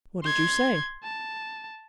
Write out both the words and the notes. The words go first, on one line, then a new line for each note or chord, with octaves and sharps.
"What did you say?"
C6 G#6
A5